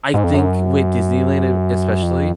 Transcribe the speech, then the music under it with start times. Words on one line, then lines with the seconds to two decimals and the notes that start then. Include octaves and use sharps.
I think with Disneyland, it especially,
0.14 G#2
0.24 F2
0.34 F#2
2.03 F2